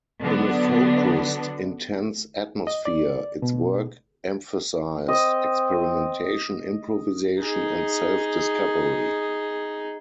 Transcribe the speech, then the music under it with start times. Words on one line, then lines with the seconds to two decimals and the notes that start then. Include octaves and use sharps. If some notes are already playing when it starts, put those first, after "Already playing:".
In a focused, intense atmosphere, its work emphasised experimentation, improvisation, and self-discovery.
0.22 D3 F#3 B3 D4
2.67 D#5
2.85 D5
3.42 B2
5.08 C4 D#5
7.41 D#4 G#4